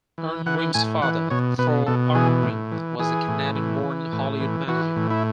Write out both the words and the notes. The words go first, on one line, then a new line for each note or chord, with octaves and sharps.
Arngrim's father, Thor Arngrim, was a Canadian-born Hollywood manager.
E3
E3 F#5
A2 G#5
E3 F#5
B2 C#5
B2 B4
B2 A4
E3 G#4
A2
E3
E3 G#4
A2
E3
E3
A2
E3
E3 F#4
A2
E4